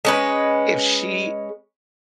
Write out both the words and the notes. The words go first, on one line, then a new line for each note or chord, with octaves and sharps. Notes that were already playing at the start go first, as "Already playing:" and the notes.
if she
G#3 C#4 B4